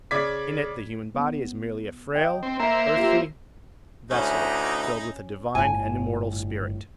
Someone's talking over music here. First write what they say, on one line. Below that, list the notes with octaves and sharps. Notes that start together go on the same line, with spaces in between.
In it the human body is merely a frail earthly vessel filled with a divine and immortal spirit.
C#3 D5 D6 G#6 B6
B3
D#5 G5
C4
A#3 C5 E5 A#5
F4 G4
D2 C#4 D#4 E4
G1 A2 G#5